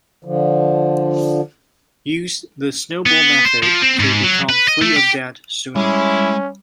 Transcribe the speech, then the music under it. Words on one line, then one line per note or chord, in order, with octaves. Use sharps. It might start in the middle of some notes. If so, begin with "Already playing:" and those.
Use the snowball method to become free of debt sooner.
D3 F3
B3
C5
F3
C4
G#2
F#3
B4
D#5
A3
G4
G3 G#3 C#4 E4